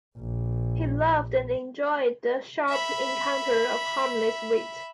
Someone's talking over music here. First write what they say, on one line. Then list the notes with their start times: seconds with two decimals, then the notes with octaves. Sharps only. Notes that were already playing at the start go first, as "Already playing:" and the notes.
He loved and enjoyed the sharp encounter of harmless wit.
0.17 A#1
2.68 E5 B5